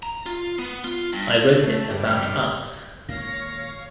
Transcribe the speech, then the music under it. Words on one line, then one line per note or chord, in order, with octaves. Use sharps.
I wrote it about us.
A#5
F4
B3
F4
G2
A3
G2
G5 F6
G#1 A#2 A#3 C#5 F5 C#6 A#6